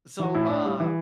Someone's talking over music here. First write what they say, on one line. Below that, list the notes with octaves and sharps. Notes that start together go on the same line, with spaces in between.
So, uh,
E3 F#4
A2 E4
A2 D4
G3
E3